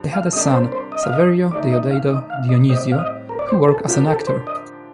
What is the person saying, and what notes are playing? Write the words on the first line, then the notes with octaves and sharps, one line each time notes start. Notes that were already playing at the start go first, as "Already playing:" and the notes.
They had a son, Saverio Deodato-Dionisio, who worked as an actor.
Already playing: G2 F3
F5
C3 G3 A#3 D4 G4 D#5
C5
C5
D#5
F5
D#5
D#3 A3 D#4 G4 D5
D#5
F5
D#5
F5
D#5
A2 G3 C4 G4 D#5
F5
D#5
A#4
D5
C5
A4
D3 F3 A#3 D4 F4 G4
A4
C5
D#5